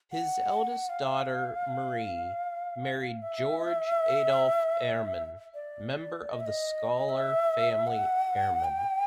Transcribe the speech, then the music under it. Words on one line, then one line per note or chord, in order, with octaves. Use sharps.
His eldest daughter, Marie, married Georg Adolf Erman, member of the scholar family Erman.
F#5
F5
E5
D5
D#5
E5
D#5
E5
F#5
G5